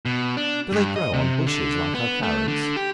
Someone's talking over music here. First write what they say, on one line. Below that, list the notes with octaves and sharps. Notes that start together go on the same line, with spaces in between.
Do they grow on bushes like our Currants?
B2
D4
G2
D#5
C3
D3
B3
A3
D3
G4